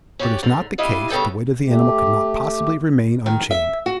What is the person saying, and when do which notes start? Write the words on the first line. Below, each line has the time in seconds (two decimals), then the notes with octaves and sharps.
Were this not the case, the weight of the animal could not possibly remain unchanged.
0.19 C#4 F#4 G4 C#5 D5
0.43 G#2 D3
0.78 G3 D4 E4 D#5 F5
1.10 G2 C#3 B3 A4 G5
1.66 A3 G4
3.26 D#3
3.51 E5
3.86 F#4